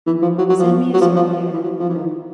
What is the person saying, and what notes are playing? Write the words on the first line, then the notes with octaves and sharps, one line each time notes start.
Send me a surveyor.
E3
F3
F#3
F#3
F3
F#3
F3
F3
F3
E3
F#3
F3
E3
D#3